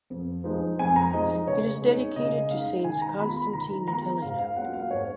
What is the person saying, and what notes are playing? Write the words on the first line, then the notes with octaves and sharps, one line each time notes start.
It is dedicated to Saints Constantine and Helena.
F2
F3 G#3 D#4
F2 G#5
A#5
F3 G#3 D#4 D#5
C#3 C#5
G#3 D#4
C#3 D#5
G#3 D#4 F5
D#3 G#5
A#5
G#3 B3 F4 B5
B5
D#3 A#5
G#3 B3 F4 A#5
G#2 F5
F5
F#3 A#3 C#4 F4 F#5
F5
G#2 C#5